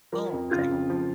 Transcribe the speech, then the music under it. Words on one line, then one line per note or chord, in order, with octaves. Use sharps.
Oh, okay.
F3 A#4
F2
C#3 F4
F2
F3